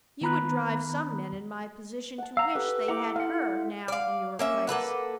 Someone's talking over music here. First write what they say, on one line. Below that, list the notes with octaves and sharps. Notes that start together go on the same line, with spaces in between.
You would drive some men in my position to wish they had her now in your place.'
D#3 B3 A#5 B5 F#6
F#5 A5
F5 A#5 E6
G4 A4 B4
E4 F#5 G5 A#5 D6
F5 F#5 A5 C6
D5 F5
A#3 C#4 E5
A#3 A4 B4 F#5